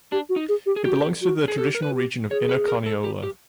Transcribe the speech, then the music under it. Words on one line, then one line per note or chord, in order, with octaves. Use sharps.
It belongs to the traditional region of Inner Carniola.
D4 G4
F#4
D#4
G#4
G4
G#4
F#4 G4
F#4
G#4
G4 A4
A#4
B4
F#4
G4
G#4 C#5
B4
A#4
A4
G4
G4